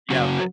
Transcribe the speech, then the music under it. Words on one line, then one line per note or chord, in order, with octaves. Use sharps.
yeah, but
C#3 F#3 C#4 F#4